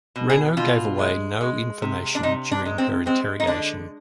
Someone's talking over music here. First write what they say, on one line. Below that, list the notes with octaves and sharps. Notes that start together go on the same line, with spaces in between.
Renault gave away no information during her interrogation.
B2
G#4
B2 F4
G#3
G#3
C3
D4
C3 D#4
D4
G#3
C4
G#3 C4
D#4
D3 D4